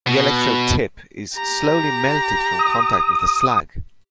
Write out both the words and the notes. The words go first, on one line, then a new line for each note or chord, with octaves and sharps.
The electrode tip is slowly melted from contact with the slag.
B2
G4 A#5
D#6